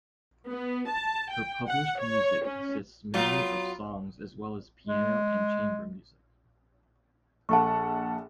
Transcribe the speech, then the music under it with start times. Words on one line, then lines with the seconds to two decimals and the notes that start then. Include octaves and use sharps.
Her published music consists mainly of songs as well as piano and chamber music.
0.49 B3
0.89 A5
1.32 G5
1.68 F#5
2.00 C#5
2.45 C#4
3.14 F#3 B3 F4
4.87 G#3
7.49 A#1 A4 F#5 A5 C#6